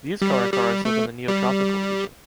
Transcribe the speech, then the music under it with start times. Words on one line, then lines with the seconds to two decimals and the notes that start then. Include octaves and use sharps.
These caracaras live in the neotropical region.
0.22 G3
0.53 G3
0.85 A3
1.28 G3